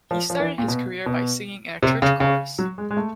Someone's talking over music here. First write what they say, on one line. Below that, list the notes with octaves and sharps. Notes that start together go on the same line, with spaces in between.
He started his career by singing in a church chorus.
F3
F3
E3
A#2
B2
B2
C3
C#3
C#3
F#3
G#3
G#3
A3